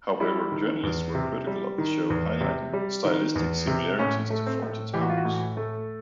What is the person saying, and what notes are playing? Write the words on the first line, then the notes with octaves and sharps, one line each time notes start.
However, journalists were critical of the show, highlighting stylistic similarities to "Fawlty Towers".
G3 E4
D#3
E2
C3
G3
D#3
E2
C3
G3
D#3
E2
C3
A2 C#4
A3
C4
A2
E3 G4
F#4
F4
F#4
A2
A3